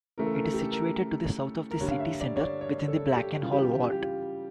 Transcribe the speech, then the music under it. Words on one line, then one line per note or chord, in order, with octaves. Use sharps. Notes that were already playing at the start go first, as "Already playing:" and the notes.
It is situated to the south of the city centre within the Blakenhall ward.
C#3 E3 A3 A#4
A4
A#4
A4
G4
A4
A#4
A#4
G2 D3 G3 A#3 C#5
F5
E5
D5
C#5
D5
C#5
A4
G4
C#3 E3 G3 F4
G4
F4
G4
F4
G4
F4